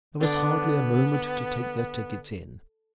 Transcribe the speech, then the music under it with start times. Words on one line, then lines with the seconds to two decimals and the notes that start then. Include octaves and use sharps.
There was hardly a moment to take their tickets in.
0.21 D3 B3 D4 D5